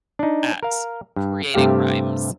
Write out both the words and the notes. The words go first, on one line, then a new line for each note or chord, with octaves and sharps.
at creating rhymes.
D4 D#4
A#4 F5
G2
G2 C3 A3 G4 F5